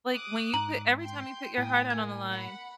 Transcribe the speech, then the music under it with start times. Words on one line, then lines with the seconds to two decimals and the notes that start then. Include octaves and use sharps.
Like, when you put every time you put your heart out on the line
0.15 D6 D#6 F#6
0.54 G#2 A#5 F#7
1.01 G5 C6 G6
1.58 A2 G5 G#5 D#6
1.90 A#3 G#5 G#6
2.31 F#5 B5